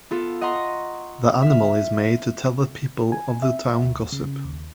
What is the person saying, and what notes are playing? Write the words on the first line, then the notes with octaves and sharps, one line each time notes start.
The animal is made to tell the people of the town gossip.
B3 F4 A4
D#5 F#5 A#5 C6 C#6 A#6
E5 F6
G#5
E5
D2
C#3
D#2